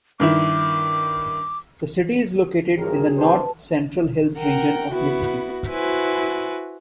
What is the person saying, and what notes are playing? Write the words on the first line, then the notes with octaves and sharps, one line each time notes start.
The city is located in the North Central Hills region of Mississippi.
G2 D#3 E4 D6
G#1 G2 F#3 G4 G#4 A#4
C3 D4 B4 C5 A5
A#4 F#5 G5
B3 E4 F#4
E4 F#4 B4 C5 G#5